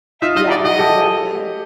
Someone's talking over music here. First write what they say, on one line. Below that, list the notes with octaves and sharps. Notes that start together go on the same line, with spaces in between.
Yeah, exactly.
D#4 F4 E5
D#4 F4 D#5
E4 F#4 D5
F#4 G#4 D#5
G4 A4